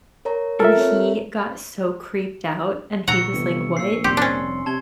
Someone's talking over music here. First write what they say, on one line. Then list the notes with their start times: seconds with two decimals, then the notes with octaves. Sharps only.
And he got so creeped out, and he was like, "What?
0.25 A#4 C#5 A#5
0.60 F4 A4 A#4 E5 A#5 F6
0.76 C4 C#5
3.08 A#1 D3 F#5 A#5 C#6 E6 C#7
3.33 G1 C3 E3
3.77 A#1 E6 C7
4.04 F1 G3 C4 G4 C6
4.17 C#4 D4
4.66 C3 A5 G#6 G7